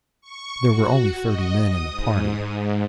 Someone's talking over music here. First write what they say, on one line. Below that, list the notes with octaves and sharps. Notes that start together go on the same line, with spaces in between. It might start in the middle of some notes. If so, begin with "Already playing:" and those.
There were only thirty men in the party.
C#6
F#4
D#5
D#6
G#2